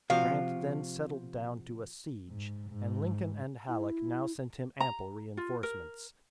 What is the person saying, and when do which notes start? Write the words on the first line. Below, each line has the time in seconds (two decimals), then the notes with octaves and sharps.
Grant then settled down to a siege, and Lincoln and Halleck now sent him ample reinforcements.
0.10 C3 F3 F#4 F5
2.28 G#2
2.70 G#2
3.68 E4
4.80 A#5
5.37 F4
5.63 A#4